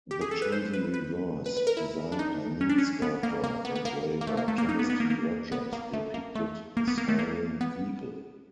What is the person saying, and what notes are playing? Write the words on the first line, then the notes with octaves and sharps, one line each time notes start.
The chosen reverse, designed by Mint sculptor-engraver Thomas D. Rogers, depicted a soaring eagle.
G4
G#4
A4
B4
C5
B4
B4
B4
B4
A#4
E4
D4
D#4
C#4
D4
C#4
B3
A#3
A#3
B3
B3
A#3
A#3
A3
A#3
A3
A#3
D#4
B3
B3
A#3
A#3
B3
A#3
A3
A#3
A3
A#3
B3
A#3
A3
A#3
B3